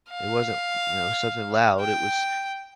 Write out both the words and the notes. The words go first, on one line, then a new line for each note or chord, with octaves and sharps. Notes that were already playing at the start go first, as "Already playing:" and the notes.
It wasn't, you know, something loud, it was,
F5
G5